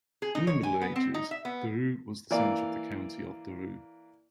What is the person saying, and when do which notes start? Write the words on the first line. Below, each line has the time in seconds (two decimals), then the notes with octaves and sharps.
In the Middle Ages, Dreux was the centre of the County of Dreux.
0.22 G#4
0.35 D#4
0.47 C#5
0.63 G#5
0.82 B3
0.96 C4
1.14 D#4
1.31 E5
1.45 B3
2.31 E3 A#3 D5 F5